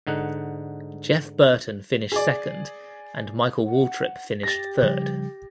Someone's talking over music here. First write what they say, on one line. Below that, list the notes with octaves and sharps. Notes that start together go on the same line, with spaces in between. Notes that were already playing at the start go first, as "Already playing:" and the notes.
Jeff Burton finished second and Michael Waltrip finished third.
G#2 D3 D#4 F#5
G#4 D5
F#5
G4 A6 A#6
C#3 F3 G3